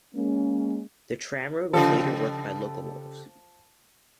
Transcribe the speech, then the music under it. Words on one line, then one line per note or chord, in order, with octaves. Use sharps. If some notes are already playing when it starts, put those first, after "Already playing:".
The tramroad was later worked by locomotives.
G#3 A#3 C#4
C#3 F3 G4 A4